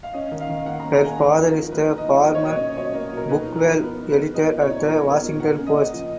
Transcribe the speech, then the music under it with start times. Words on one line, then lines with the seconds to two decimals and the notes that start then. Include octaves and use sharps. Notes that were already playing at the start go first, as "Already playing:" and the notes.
Her father is the former "Book World" editor at the Washington Post.
0.03 F5
0.14 C#4 D#5
0.31 D#3
0.40 F5
0.49 D#3
0.66 A#3 F#5
0.80 A#5
0.84 C#4
0.94 A#5
1.02 D#3 G#5
1.19 D#4 B4
1.37 F3
1.46 A#4
1.54 F3
1.72 A#3 B4
1.89 D#4
1.98 D#5
2.07 F3
2.24 A#3 D#5
2.35 C#5
2.43 B2 D#5
2.59 C#4
2.77 F#3 C#5
2.94 A#3
3.12 B2 A#4
3.29 D#4 B4
3.48 F3
3.56 A#4
3.64 F3
3.82 B3 B4
4.00 D#4
4.09 B4
4.17 F3
4.34 B3 D#5
4.52 A#2
4.61 C#5
4.70 D#4
4.88 F3 A#4
5.05 B3
5.23 A#2
5.40 A#3 F#5
5.58 C#3
5.67 D#5
5.74 C#3
5.93 F3